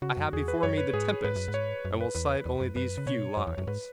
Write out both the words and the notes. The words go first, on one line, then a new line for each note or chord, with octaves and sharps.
I have before me the Tempest, and will cite only these few lines.
C#3 F#4
F#2
E2 G#4
B4
F#2 C#5
B4
G#2 G#4
G#2 B4
F#2
G#2
C#5
F#2
B4
E2 B4
E2
F#2
F#2 B4
C#3
B2 C#5
F#2 C#5
E2
F#2
G#2 B4